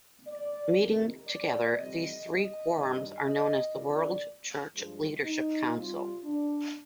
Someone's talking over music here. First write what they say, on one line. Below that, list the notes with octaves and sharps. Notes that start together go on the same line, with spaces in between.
Meeting together, these three quorums are known as the World Church Leadership Council.
D5
F2 C3 D#3 G#3 A#4
D5
F2 C3 G3 D#5
D#5
G2 D#3 G3
D#5
F2 D3 F3 D5
G2 F3 G#3
D#4
C3 G3 F4
D4